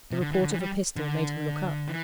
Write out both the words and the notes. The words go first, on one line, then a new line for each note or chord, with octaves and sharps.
The report of a pistol made him look up.
C3
D3
E3
D3
E3
G3
D3
E3